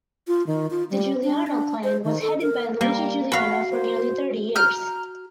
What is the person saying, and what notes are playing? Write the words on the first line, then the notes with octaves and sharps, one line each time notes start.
The Giuliano clan was headed by Luigi Giuliano for nearly thirty years.
F4
D#3
F4
G3
D4
D4
C5
D#3
A4
A#4
G3 A#3
F#4 F5 F#5 B5
C5
A#5 F6 G6